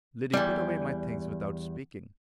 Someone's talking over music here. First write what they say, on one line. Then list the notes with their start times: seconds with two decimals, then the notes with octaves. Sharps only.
Liddy put away my things without speaking.
0.33 E2 G#2 G3